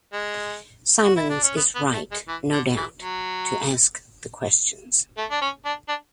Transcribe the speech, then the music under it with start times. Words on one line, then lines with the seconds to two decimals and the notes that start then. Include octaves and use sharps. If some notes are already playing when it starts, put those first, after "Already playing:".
Symonds is right, no doubt, to ask the questions.
0.13 G#3
1.03 F#4
1.16 E4
1.30 D4
1.43 C#4
1.56 B3
1.75 B3
1.93 A3
2.11 G#3
2.28 E3
2.53 D3
2.77 E3
3.01 F#3
5.17 A3
5.30 D4
5.41 C#4
5.65 D4
5.88 D4